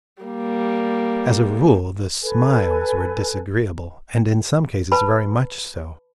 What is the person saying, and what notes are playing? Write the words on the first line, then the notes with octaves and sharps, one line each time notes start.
As a rule the smiles were disagreeable, and in some cases very much so.
G3 A#3
A4 B4 G#5
B4 A5 B5